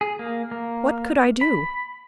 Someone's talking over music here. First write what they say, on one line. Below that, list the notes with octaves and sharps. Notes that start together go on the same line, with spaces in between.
What could I do?
G#4
A#3
A#3
B5